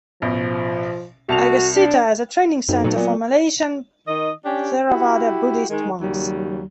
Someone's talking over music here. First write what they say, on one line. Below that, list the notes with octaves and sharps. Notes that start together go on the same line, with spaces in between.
Aggacitta as a training centre for Malaysian Theravada Buddhist monks.
A1 B2 F3
C2 F#4 A5 F7
D4
B1 F#2
A#2 F#3 A3
A#2 F#3 G#3 B3
D#3 D#5
C#4 D4 G4
E4 F#4 G4
D#3 G#3
D#2 C#3 F#3 G3